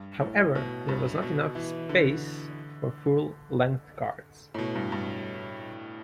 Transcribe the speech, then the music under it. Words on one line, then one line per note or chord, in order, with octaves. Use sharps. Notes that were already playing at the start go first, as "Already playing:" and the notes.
However, there was not enough space for full-length cards.
Already playing: G2
A2
B2
G2
B2
E3
D3
A2
B2
G2
G2